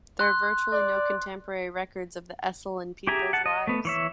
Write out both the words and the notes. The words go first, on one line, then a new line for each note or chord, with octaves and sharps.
There are virtually no contemporary records of the Esselen people's lives.
C6 F#6
D5
G4 G#4 E5 G#5 A#5
F#5 A5
D#5
A3 B3
E3 C#5 E5